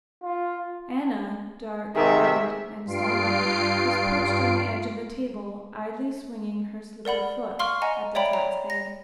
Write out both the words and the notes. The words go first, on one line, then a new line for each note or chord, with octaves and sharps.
Anna, dark, vivid, and slender, was perched on the edge of the table, idly swinging her slippered foot at the cat's head.
F4
G#2 C3 D#3 G#4 A#4 D#5 E5
G2 F4 C7 D7
A#4 D5 F#5 B5
F5 C6 C#6 F6
D#5 F#5 G#5 A#5
C#5 D5 E5 G5 A#5 B5
A#5
A#6